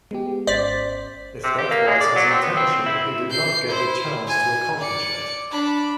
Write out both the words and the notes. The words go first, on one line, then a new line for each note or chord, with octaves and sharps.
If that was his intention, he did not get the chance to accomplish it.
G#3 B3 G4
G#1 C#4 C5 D5 B6
C3
G4
A#3
G#3
D5
F#3
C4
B3
C4
C4
E4
G6 C7
E4 C5
G#5
D5 C#7
D4 B5